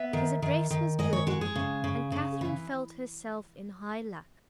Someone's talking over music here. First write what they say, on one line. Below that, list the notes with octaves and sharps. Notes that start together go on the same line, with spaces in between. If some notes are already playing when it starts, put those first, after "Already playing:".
His address was good, and Catherine felt herself in high luck.
Already playing: B3 E5
D#3
D#3
D#3
G#3 D#5
C#5
G#3 F#4
G#4
C#3
C#3
C#3
E3